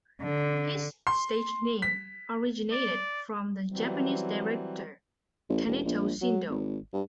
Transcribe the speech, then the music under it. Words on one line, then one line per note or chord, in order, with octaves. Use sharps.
His stage name originated from the Japanese director Kaneto Shindō.
D3
C6
B6
D5
E3 F#3 G3 C4
A1
E1
A#1
F#3
G#1
G2